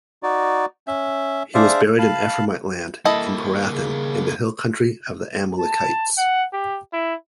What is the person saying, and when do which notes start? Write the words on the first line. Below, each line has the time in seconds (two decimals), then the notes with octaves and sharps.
He was buried on Ephraimite land, in Pirathon, in the hill-country of the Amalekites.
0.23 D#4 F#4 D5
0.87 C#4 E5
1.54 D4 G#4 C5 D5 E5 F5
1.99 F5 A5 B5
3.05 G3 A#3 E4 A4 D#5
3.69 C#3
5.59 A5
6.17 F#5
6.53 G4
6.93 E4